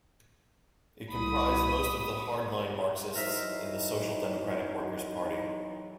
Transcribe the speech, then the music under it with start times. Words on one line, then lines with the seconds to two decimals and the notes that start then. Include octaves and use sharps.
It comprised most of the hardline Marxists in the Social Democratic Workers' Party.
1.09 C2 B5 D#6
3.15 E3 F#3 D#4 A#4 C5 E5